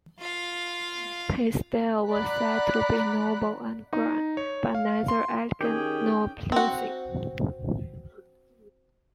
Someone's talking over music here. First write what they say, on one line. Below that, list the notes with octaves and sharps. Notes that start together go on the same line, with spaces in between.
His style was said to be noble and grand, but neither elegant nor pleasing.
F4 F5
D5 F#5 A#5 B5 F#6
D#4
C#5
F5
C6
D#3 C#4 G4 G#4 G5
C4 F#4